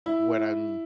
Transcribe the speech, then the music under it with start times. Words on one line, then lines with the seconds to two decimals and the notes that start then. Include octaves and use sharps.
when I'm,
0.06 E4